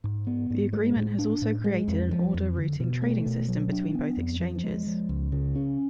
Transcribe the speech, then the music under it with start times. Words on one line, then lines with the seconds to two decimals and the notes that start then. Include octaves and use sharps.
The agreement has also created an order routing trading system between both exchanges.
0.04 G#2
0.27 B3
0.50 G#2
0.73 G#3
0.96 A2
1.19 D4
1.42 A2
1.64 G#3
1.88 F2
2.11 F3
2.34 F2
2.57 D3
2.80 B2
3.02 A3
3.26 B2
3.48 F#3
3.72 D4
3.95 B3
4.17 F2
4.40 F3
4.64 G#3
4.87 F3
5.09 C#2
5.32 C#3
5.55 C#4